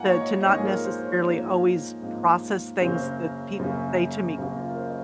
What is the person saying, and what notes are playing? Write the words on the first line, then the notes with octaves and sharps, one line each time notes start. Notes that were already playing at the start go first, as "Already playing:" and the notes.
to to not necessarily always process things that people say to me
Already playing: G#2 F3 A#3 F#5 G#5 A#5
C#5
D#5
D#5
G#2 F3 A#3 C#5
G#4
A#4
C5
C#5
G#2 F3 A#3
G#2 F3 A#3
F#2 C#3 F#3 A#3 C5
F#2 C#3 F#3 A#3
F#2 C#3 F#3 A#3 F#4
F4
A#4
C5
D#5